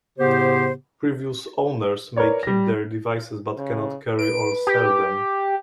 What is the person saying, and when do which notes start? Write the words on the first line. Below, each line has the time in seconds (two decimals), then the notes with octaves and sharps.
Previous owners may keep their devices, but cannot carry or sell them.
0.18 A2 C#3 B3 G4 C5
2.16 A#4 B4 C#5 D5
2.43 G3 A#6
3.58 C#3
4.19 B4 D7
4.67 G4